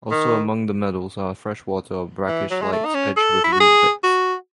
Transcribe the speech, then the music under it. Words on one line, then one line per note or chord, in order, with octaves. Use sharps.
Also among the meadows are freshwater or brackish lakes edged with reed beds.
D#3
E3
F#3
G#3
A3
D#4
C#4
A4
E4
F#4
G#4
F#4